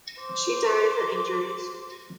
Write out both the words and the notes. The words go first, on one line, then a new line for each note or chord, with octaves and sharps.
She died of her injuries.
C5 D6